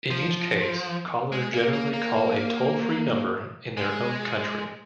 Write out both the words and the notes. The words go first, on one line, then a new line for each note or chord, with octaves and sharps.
In each case, callers generally call a toll-free number in their own country.
F3
G#3
A#3
A#3
A#3
G#3